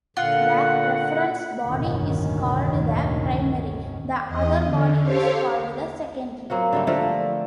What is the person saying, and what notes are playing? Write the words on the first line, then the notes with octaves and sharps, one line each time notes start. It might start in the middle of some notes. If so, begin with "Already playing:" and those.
The reference body is called the "primary", the other body is called the "secondary".
A#2 D3 F4 F#5
F1 D2 G2 A#2 D#3 C#4
E2 D#5
D3
G4 A4 C5 C#5 F5
F#3 A#3 C4 F#4
D3 G3 A3
D3 F3 A3 A#4